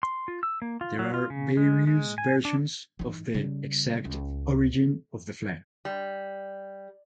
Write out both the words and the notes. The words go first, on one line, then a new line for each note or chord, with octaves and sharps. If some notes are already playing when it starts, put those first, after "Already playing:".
There are various versions of the exact origin of the flag.
C6
F4
E6
A#3
F4
F#3
F4
C#3
G#3
G#3
G#5
D4
E3 D#4
C#3 G3
C#2
G3